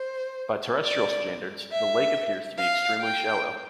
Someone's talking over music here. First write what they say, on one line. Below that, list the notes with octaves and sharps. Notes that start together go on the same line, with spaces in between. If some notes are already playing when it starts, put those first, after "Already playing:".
By terrestrial standards, the lake appears to be extremely shallow.
Already playing: C5
D5
E5
F5
G5